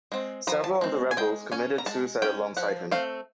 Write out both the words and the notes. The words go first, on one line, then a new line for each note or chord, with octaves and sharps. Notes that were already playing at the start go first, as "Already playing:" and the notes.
Several of the rebels committed suicide alongside him.
G#3 C4
F3 A#5
A5
G#3 C4
G#5
G#3 G5
C#4 G#5
A#5
G#3 A5
C#4 G5
F3 F#5
A3 C4 F5